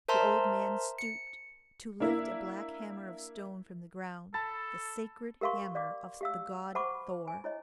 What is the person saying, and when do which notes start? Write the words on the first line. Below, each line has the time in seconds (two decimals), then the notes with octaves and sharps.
The old man stooped to lift a black hammer of stone from the ground,--the sacred hammer of the god Thor.
0.08 A#4 C5 E5 A5 A#5 C6
0.98 C#7
2.00 A#3 D4 E4
4.34 A4 A5 B5 A6
5.41 G4 A#4 F5 C6 C#6
5.75 D5 F5 D6
6.21 G4 F5 E6
6.75 C5 F#5 A5 B5 C#6 D6
7.28 G#5
7.44 E4 C#5 D#5